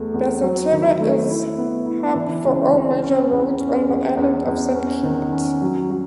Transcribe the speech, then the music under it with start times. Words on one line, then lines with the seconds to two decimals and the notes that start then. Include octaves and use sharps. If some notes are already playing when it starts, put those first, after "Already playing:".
Basseterre is hub for all major roads on the island of Saint Kitts.
Already playing: E2 A3
0.14 E2
0.42 F#3
0.72 D#3
1.00 A3
1.29 E4
1.58 B3
1.86 E4
2.15 E3
2.44 C#2
2.73 C#2
3.02 C#4
3.31 E2
3.60 C#4
3.89 E2
4.17 E2
4.47 E2
4.75 C#4
5.03 D#3
5.32 C#4
5.62 F#3
5.90 F#3